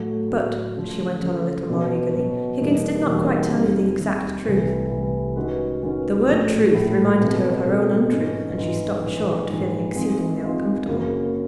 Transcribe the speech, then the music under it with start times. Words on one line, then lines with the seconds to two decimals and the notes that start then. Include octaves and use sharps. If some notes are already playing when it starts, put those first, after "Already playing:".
But,' she went on a little more eagerly, 'Higgins did not quite tell you the exact truth.' The word 'truth,' reminded her of her own untruth, and she stopped short, feeling exceedingly uncomfortable.
Already playing: A2 F#3 A3
0.31 A2 F#3 A3
0.76 C#3 F3 A3
1.23 C#3 F3 A3
1.69 B2 F#3 B3
2.14 B2 F#3 B3
2.61 E2 B2 G3 A#3 D#4
3.06 E2 B2 G3 A#3 D#4
3.52 D#2 D#3 G3 C4
3.99 D#2 D#3 G3 C4
4.44 C2 C3 E3 A3
4.90 C2 C3 E3 A3
5.36 D#3 G#3 C#4 F#4 B4
5.82 D#3 G#3 C#4 F#4 B4
6.28 A#1 A2 F#3 A3
6.74 A#1 A2 F#3 A3
7.20 B2 G#3 C4 E4 A4
7.66 B2 G#3 C4 E4 A4
8.12 G#2 E3 G#3 C#4 F4
8.58 G#2 E3 G#3 C#4 F4
9.04 A#1 G#2 E3 G#3
9.49 A#1 G#2 E3 G#3
9.96 D#3 G#3 C4 F4 G#4
10.42 D#3 G#3 C4 F4 G#4
10.88 F#1 F#2 C#3 F#3 A#3